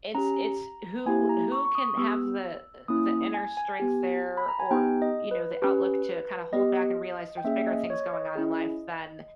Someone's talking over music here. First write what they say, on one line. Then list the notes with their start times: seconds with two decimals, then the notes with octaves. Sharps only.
it's it's who who can have the, uh, the inner strength there or, you know, the outlook to kinda hold back and realize there's bigger things going on in life than
0.15 C#4 G4 A#5
1.06 A#3 E4 G4 G#5
1.29 A#5
1.52 C#6
1.65 C#6
1.75 D#6
1.97 B3 G4 E6
2.88 A#3 C#4 E4 D#6
3.34 G#5
3.57 G#5
3.80 B3 G4
4.37 B5
4.48 A#5
4.60 G#5
4.71 B3 D#4 G4 G5
5.02 D#5
5.31 B4
5.62 C#4 G4 B4
6.53 B3 G4 D#5
7.37 G5
7.44 A#3 C#4 G#4 E5
7.67 D#5
7.90 C#5
8.13 D#5
8.35 C#4 E4 G#4